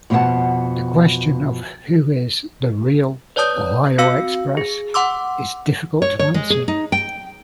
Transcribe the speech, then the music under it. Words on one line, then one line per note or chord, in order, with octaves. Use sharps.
The question of who is the "real" Ohio Express is difficult to answer.
F2 B2 C#4 G4 F#5 A5
B4 C#5 D5 A5 D#6 G6
C4 F#4 F5 E6 C#7
G#4
F#5 C6 D6 E6
C#5
C#5
G#3
G#4
D#4
G5